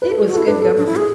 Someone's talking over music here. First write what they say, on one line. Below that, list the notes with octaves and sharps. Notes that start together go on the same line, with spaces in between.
It was good government.
B4
A4
G#4
F#4
A4
E4
D4 B4
A4
D4
E4
G#4